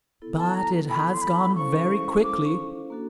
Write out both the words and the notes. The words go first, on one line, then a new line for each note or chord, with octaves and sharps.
"But it has gone very quickly."
B3 E4 A4
A5
A#5
B5
C6
B5
C#4 E4 A4 C5 F5 C#6
D6
C#6
A#3 D4 F#4 A4